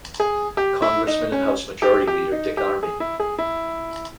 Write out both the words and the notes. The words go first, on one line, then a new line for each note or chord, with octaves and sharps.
Congressman and House Majority Leader Dick Armey.
G#4
G4
E4
D#4
C#4
G4
G4
D#4
G4
G#4
E4
G#4
E4